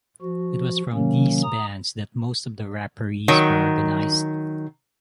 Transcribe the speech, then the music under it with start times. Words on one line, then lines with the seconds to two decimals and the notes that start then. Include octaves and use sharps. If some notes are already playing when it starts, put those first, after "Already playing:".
It was from these bands that most of the Rapparees were organised.
0.21 F3 F#4
0.94 C3 D#3 F#3 A#3 C#4
1.43 A#5 D#6
3.28 D#3 F#3